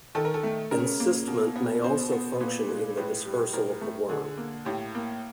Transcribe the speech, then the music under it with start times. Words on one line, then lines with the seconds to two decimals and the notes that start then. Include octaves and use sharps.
Encystment may also function in the dispersal of the worm.
0.15 D#3 A4
0.25 A#4
0.34 A4
0.43 A3
0.71 C#3 A#4
1.00 A#3
1.27 B2
1.56 B3
1.84 B2 C5
2.12 B3
2.40 A#2 B4
2.69 G#3
2.97 A2 B4
3.25 G3
3.53 A2 A#4
3.81 A3
4.09 D3 G#4
4.38 A#3
4.65 A2 G4
4.95 A#3